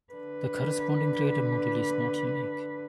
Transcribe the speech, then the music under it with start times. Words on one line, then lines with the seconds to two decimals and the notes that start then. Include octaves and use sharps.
The corresponding graded module is not unique.
0.13 D3 B4